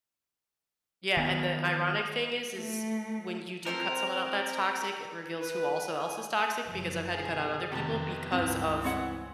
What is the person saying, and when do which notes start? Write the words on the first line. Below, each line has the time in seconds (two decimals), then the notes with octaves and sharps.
Yeah, and the ironic thing is is when you do cut someone out that's toxic, it reveals who also else is toxic because I've had to cut out other people because of
1.17 D#3 B3
2.56 A3
3.66 F3 C4 A4 A#4 C5
5.40 B4
6.00 G#5
6.67 F#1 F3 F#3
7.14 B2 D3 G#4
7.72 F2 C3 D#3 B3 G4 A5
8.32 C#2 G2 E3 C4
8.84 C4 C#5 F#5